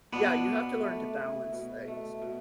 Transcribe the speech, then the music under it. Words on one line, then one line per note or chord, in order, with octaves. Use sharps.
yeah, you have to learn to balance things.
B2 B3 D4
B2
A3
E4
B2
A3
B2